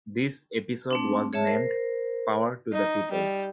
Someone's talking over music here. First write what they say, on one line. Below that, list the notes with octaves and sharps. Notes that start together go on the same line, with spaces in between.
This episode was named "Power to the People".
A3 C4 D4
G#4 C#5 E5 A5
A#4 C5
D#4
G3